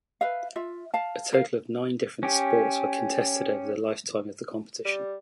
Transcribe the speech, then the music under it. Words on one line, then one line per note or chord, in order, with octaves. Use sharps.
A total of nine different sports were contested over the lifetime of the competition.
B4 E5 F5
F4 E5
F5 A5
A#4 F5
C#4 G4
G3